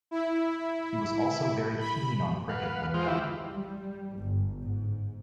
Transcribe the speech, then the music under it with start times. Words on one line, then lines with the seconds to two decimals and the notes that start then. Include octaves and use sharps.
He was also very keen on cricket when young.
0.11 E4
1.80 B5
2.49 B4 F5 F#5
2.94 F3 G#3 F4 C5
3.08 E3 E4 G4
3.49 G3
4.16 G1
4.63 G#2